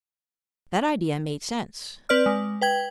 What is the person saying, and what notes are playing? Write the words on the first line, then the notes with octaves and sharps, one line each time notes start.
That idea made sense.
C4 B4 D5 F6
G#3
B4 G5 G#6 F#7